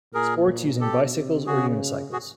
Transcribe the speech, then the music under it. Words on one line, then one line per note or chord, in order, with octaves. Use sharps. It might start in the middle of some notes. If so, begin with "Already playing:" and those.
Sports using bicycles or unicycles.
A#2 G#4 A#4
B2 G4 A4
C3
C#3 F#4 G#4
F#4 G#4